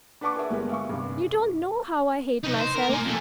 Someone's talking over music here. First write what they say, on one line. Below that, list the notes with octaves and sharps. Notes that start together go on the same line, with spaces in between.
'You don't know how I hate myself.
D4 B4 F#5 A5 C#6 D6
G#4 A#4 B4 E5
G1 G#3 B3 G4 G#4 A#4
E5 F5 C#6
G2 C3
D#4 B4
C5
A#4
A#3 G#5
F2 A3